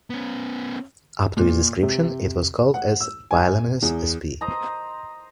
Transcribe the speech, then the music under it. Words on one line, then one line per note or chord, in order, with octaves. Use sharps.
Up to its description it was called as "Pylaemenes" sp.
B3 C#4
A#2
C3
F#5
E6
G#5
E2
C5 D#5 A#5